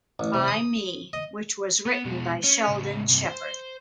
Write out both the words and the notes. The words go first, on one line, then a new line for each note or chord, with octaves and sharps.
By Me, which was written by Sheldon Sheppard.
A1
C3
D#6
D#5
B3
B2 G#3
C#4
A2 C#3
G2 C3
C5